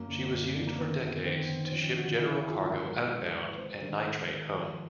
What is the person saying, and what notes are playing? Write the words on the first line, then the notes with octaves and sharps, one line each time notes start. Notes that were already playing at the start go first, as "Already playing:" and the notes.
She was used for decades to ship general cargo outbound and nitrate home.
Already playing: F#2 A#3
D3
F#2
D3
A#3
D#3 B3
F#2
D#3 C4
D#3
C4
F3 C#4
D3 F#4
F4
D3 E4
E4
F3
F4
G#2 F#4
G#2
G#2
A4
G#2
B4
G#2 C5
D#3 A#4
G#2
D#3
F3